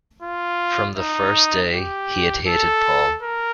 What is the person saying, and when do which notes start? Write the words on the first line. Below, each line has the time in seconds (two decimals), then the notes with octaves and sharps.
From the first day he had hated Paul.
0.22 F4
0.97 D#4
1.73 G4
2.48 A4
3.23 A#4